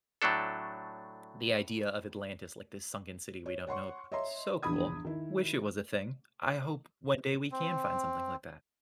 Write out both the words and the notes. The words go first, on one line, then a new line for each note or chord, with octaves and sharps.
the idea of Atlantis, like, this sunken city we don't know about- so cool, wish it was a thing. I hope one day we can find something like that,
A2 F#3 A3 D4 A4
C#5
C#5 F#5 C6 C#6
C#5 D#5 E5 A#5 C6
A#1 E2 G2 B5 D#6 G#6
D#3 E4
C4